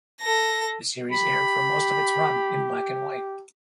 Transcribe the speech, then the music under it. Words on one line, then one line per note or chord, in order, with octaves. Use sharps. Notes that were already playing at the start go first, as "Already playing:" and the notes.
The series aired for most of its run in black-and-white.
A4 A#6
G4 B5